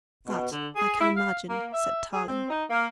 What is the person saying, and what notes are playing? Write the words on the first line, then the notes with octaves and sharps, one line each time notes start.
"That I can imagine," said Tarling.
B2
D3
G#4
E4
F5
A#3
E5
G#4
C4
D#4
A#3